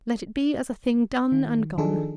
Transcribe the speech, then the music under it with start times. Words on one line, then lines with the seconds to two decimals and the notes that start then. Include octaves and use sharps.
Let it be as a thing done and gone.
1.32 D#3
1.78 D#3 F3 D4 D#4 G#4 A4